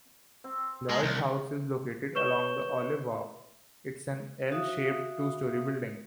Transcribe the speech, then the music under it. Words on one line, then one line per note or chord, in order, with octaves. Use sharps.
Lloyd House is located along the Olive Walk, and is an "L"-shaped, two-story building.
C4
G#3 A#4 A5
C2
B4 C#5 C#6 G6 E7 G7
F#4 E5 F5 D#6